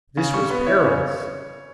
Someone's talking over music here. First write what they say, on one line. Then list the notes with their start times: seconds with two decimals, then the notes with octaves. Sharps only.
This was perilous.
0.17 C#3
0.34 G3 C#6
0.50 B3 B5
0.67 E4 C#5
0.84 C#3